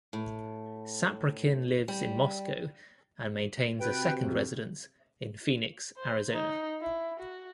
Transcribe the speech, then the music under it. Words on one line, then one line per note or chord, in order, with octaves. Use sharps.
Saprykin lives in Moscow and maintains a second residence in Phoenix, Arizona.
A2
G3
C3 F#4 B4 G5
F2
C5
D#4
E4
F#4